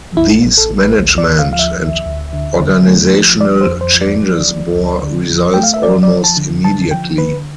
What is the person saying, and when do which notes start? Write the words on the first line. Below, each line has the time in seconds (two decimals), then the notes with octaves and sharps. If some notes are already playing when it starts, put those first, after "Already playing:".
These management and organisational changes bore results almost immediately.
0.17 A1 E4
0.44 A1
0.58 A4
0.71 A1
0.78 B4
0.97 D2
1.18 D5
1.25 D2
1.39 F5
1.52 F3 F5
1.59 E5
1.79 D2
2.06 D2
2.33 D3
2.59 D3
2.87 A3
3.14 F3
3.40 F3 D5
3.61 C5
3.67 F2
3.81 C5
3.94 F3
4.01 D5
4.21 F3
4.49 F3
4.76 D2
5.03 D3
5.30 F3
5.54 A3 G5
5.63 F5
5.74 E5
5.83 F3 D5
6.03 D5
6.10 F3
6.24 A5
6.37 D3
6.64 D3 A5
6.91 F3 G5
7.18 D3 B4